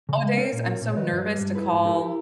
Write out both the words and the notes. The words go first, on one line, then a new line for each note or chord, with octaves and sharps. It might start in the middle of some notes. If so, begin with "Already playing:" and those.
nowadays, I'm so nervous to call
C#3
G#3
D#5
C#4 A#4 C#5
A#2
C#4
A#2
C#5
D#3 B4 D#5
G2
G3
G2
E4 G#4 B4
G#2
E4 G4 A#4
E4